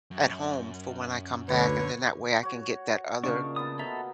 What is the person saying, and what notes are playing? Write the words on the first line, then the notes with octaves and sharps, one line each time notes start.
at home for when I come back, and then that way I can get that other
F#2
D2 D3 B4 C#5
F#4 C#5
A#2 C#3 D4 D#4 F5 C#6
B3 A5 D#6
B2 A4 E5 A#5